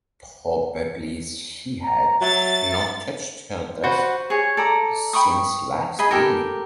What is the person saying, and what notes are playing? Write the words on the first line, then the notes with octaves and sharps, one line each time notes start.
Probably she had not touched her dress since last evening.
A#5
F#3 E5 A6
F#4 B4 C5 F#5
G#4 C#5
A4 D5 A#5
G5 B5 C#6 D#6
G#4 D#5 B5
G4 A4 A#4